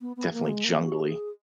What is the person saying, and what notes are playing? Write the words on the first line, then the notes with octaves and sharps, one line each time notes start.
definitely jungly.
B3
B3
A#3
G#3
A#3
F#4
A#4
G#4